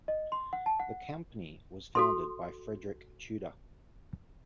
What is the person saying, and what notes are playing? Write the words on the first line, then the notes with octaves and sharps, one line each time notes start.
The company was founded by Frederic Tudor.
D#5
C6
F#5
A5
F#5
F#4 A4 C6